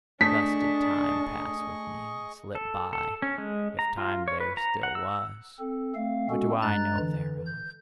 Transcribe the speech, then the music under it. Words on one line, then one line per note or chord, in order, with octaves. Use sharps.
Thus did time pass with me, and slip by, if time there still was: what do I know thereof!
A3 D4 G#4 D#5 C#6 B6
A4
A4
C#4
G#3
A#5
F4
C#5
B4
A#5
F#5
E6
C4 A4
A3 C4 F5
G#3 B3 C#4 F#4 A4
G2 G#3 A#5 F#6 A6
D3 E3
G6